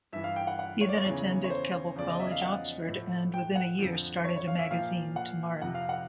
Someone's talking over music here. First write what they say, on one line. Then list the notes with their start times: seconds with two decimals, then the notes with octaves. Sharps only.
He then attended Keble College, Oxford, and within a year started a magazine "Tomorrow".
0.13 G2 E3 E5
0.24 F5
0.36 G5
0.47 F#5
0.59 F#5
0.81 C#5
0.89 D5
0.97 C#5
1.05 E2 C#3 E3
1.44 C#5
1.50 C5
1.96 E2 C#3 F3 D5
2.09 D#5
2.20 E5
2.32 F5
2.42 F#5
2.87 A2 F3
3.34 G5
3.55 F#5
3.79 F2 D3 F3
4.25 C#5
4.36 C#5
4.47 F5
4.59 E5
4.71 A#2 F3 F5
5.16 F#5
5.61 F2 C3 F3 F#5
5.75 F5
5.89 F#5